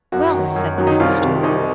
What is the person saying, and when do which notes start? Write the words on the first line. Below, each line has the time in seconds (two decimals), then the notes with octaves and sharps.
Wealth, said the Master.
0.12 F#2 F#4
0.35 D#3 F#3
0.56 F#2
0.78 D#3 F#3
0.87 D#4
1.00 C2 F4
1.22 C3 D#3
1.43 C2 D#4